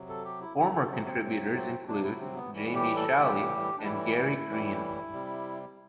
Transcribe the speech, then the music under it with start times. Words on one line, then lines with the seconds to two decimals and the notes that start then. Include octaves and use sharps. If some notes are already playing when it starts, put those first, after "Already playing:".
Former contributors include Jamie Shalley and Gary Green.
Already playing: C3 F#3
0.09 A4
0.25 G4
0.41 E4
0.57 C3 F#3 E4
0.74 A4
0.90 C4
1.06 C4
1.22 C3 F#3 C4
1.55 C4
1.87 C3 F#3 D4
2.04 E4
2.20 C4
2.36 B3
2.52 A2 E3 G3
2.74 G4
2.96 A4
3.17 A2 E3 G3 G4
3.78 D4
3.83 A2 E3 G3 E4
4.48 A2 E3 G3
5.13 C3 G3